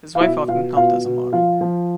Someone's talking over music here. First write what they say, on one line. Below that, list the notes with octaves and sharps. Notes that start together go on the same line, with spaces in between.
His wife often helped as a model.
F5
B2 E4 E5
B2 F4 F5
B2 F4 F5
B2
F3 F4 F5
F3